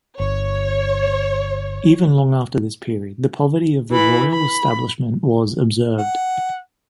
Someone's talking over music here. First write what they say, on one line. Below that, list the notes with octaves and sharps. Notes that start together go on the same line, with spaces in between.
Even long after this period, the poverty of the royal establishment was observed.
G1 C#5
E3 B5
B5
F#5